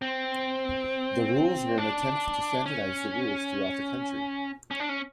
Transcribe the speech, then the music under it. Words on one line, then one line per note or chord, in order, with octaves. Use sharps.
The rules were an attempt to standardize the rules throughout the country.
C4
D4
C#4
C#4
D4
C#4